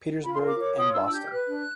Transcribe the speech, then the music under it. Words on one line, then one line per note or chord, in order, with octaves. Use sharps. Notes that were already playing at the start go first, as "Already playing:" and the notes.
Petersburg and Boston.
F4 B5
C6
A#4
D6
C#5 D6
F4 D#6
D4 E6
G4 G6
F6
B4 F#6
D4